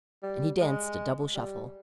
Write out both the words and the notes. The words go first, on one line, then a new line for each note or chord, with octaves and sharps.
And he danced a double shuffle.
G3
G#3
G3